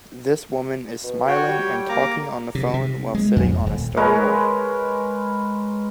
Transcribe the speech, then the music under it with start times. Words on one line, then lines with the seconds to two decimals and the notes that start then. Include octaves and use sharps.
This woman is smiling and talking on the phone while sitting on a stone wall.
1.03 B2
1.28 F#4 C#5 G5
1.48 G3
1.89 A#3 A#5 D6
2.55 C3
2.74 C3
3.15 G#3
3.36 F2
3.66 D#1
3.97 G#3 A#4 B4 C#5